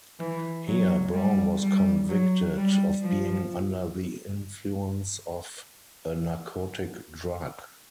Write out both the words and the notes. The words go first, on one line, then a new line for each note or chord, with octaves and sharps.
Here, "Brown was convicted of being 'under the influence of" a narcotic drug.
E3
F#3
G3
G3
F#3
G3
F3